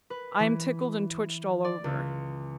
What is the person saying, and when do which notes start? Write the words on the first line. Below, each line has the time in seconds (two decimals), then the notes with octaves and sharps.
I am tickled and twitched all over.
0.10 B4
0.40 E3
1.65 D5
1.84 C#2